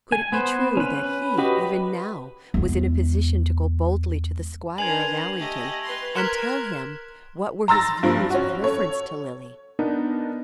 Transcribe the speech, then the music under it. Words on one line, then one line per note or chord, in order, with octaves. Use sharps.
Could it be true that he, even now, was in a position to go boldly to the Squire of Allington, and tell him what were his views with reference to Lily?
G#5
B3 B4 C5
C#4 B4
F#4 G4 B4 D#5
B4
E2 G#3
D4 A#4 B4 G#5 C6 G#6 F7 F#7
A3 G4 D#5
B4 C6
A#4 C6 F#6 G#6 B6 E7
A#5 C6 E6 A6 A#6
G2 F3
C#4 F#4
A4 C#5
B3 D4 D#4 A#4 B4